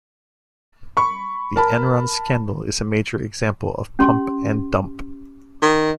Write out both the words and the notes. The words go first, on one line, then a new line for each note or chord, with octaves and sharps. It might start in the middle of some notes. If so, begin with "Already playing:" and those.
The Enron scandal is a major example of pump and dump.
B5 C#6
A#4 A5 B5
C#4 G4 C6
D#3